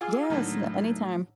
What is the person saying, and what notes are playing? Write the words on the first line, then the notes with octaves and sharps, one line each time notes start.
Yes. Na anytime.
F4 G#4 F5 D6 E6
A2 D3 D#3 F#3 A3